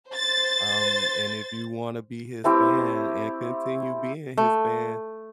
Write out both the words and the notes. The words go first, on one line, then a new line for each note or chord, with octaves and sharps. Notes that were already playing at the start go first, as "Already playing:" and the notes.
um, and if you wanna be his fan and continue being his fan,
C5 A6
A3 C4 E4 G4
A3